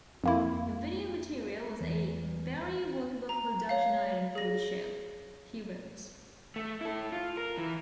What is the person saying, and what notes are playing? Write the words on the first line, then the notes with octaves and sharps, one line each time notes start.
"The video material was a very workable production item for the show," he wrote.
F2 A#3 E4
E2
A#5
C#5 F5
G#4 A#6
A3
E4 A4
F4
A#4
E3